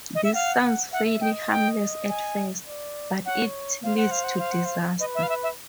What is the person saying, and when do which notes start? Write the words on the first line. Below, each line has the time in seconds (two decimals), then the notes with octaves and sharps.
This sounds fairly harmless at first, but it leads to disaster.
0.15 D#5
0.24 E5
0.34 F5 F#5
0.93 E5 F#5
1.21 D#5 G5
1.51 G5
2.09 G#5
2.67 D5
3.25 C#5 F#5
3.84 C5 F5
3.97 F#5
4.11 F5
4.24 F#5
4.39 F5
4.52 F#5
4.65 F5
5.00 B4 D#5
5.15 E5
5.23 F5
5.29 E5
5.43 E5